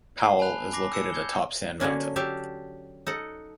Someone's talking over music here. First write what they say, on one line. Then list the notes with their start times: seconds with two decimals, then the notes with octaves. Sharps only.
Powell is located atop Sand Mountain.
0.21 C7 G7
0.40 G#5 A5 B5 F#6 F7
0.72 G#5 B5 D6 A#6 C7
0.93 E6 C#7 E7
1.12 G6 G#6 G7
1.80 D3 F#3 A#3 C#4 D4
2.16 F#3 G4 E5 F5 A5
3.07 D#4 A4 F#5